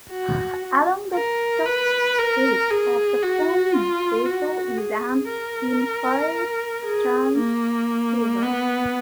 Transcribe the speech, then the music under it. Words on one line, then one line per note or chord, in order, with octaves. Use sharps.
Along the top edge of the phone bezel is an infrared transceiver.
F#4
A#4
B4
A#4
G#4
F#4
F4
F#4
G#4
A#4
G#4
A#3
B3